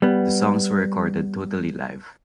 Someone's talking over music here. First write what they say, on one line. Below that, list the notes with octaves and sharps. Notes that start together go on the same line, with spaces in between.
The songs were recorded totally live.
G3 B3